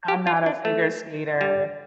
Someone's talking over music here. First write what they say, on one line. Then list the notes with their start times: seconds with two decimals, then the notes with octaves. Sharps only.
I'm not a figure skater.
0.08 G4
0.27 F4
0.46 D4
0.65 A3
1.41 G3